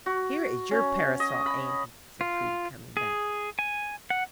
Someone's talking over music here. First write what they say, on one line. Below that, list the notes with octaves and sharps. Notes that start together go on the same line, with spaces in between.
"Here is your parasol, auntie," said Prudy, coming back.
F#4
C#4
D#5
B5
F4
G#4
G#5
F#5